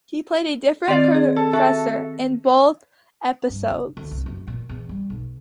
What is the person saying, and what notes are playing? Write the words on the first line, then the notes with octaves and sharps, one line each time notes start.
He played a different professor in both episodes.
D#3 C4 F4 D5
G#4
A4
F#4 A4 E5
G2
C#3
D2
C2
F#1
A#2
E2
G3
B1